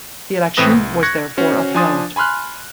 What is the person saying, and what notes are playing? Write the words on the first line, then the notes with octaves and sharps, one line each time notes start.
The election was therefore upheld.
A2 E3 C4 B4 D#6 A#6
C2
C#6 F#6 G#6 A#6 C#7
C#4 F#4 C5
F3 D4 G#5 C6 D#6 A6
G#5 B5 C6 F6 F#6